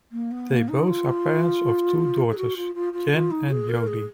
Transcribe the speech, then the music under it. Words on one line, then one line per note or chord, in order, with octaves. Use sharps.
They both are parents of two daughters, Jan and Jodi.
A#3
B3
A#3
D#4
F4
G#4
F#4
F4
F4
F4
F4
D#4
G#4
A#4
G#4